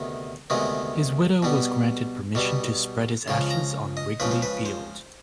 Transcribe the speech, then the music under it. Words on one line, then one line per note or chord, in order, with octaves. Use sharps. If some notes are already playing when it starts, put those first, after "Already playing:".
His widow was granted permission to spread his ashes on Wrigley Field.
Already playing: D2 C3 D#3 B3
D2 C3 D#3 G#3 B3
B2 G3 B3
B2 G3 B3
C#2 C#3 F3 C6
A#5
D#5
C#2 C#3 F3 B4
C5
B4
C5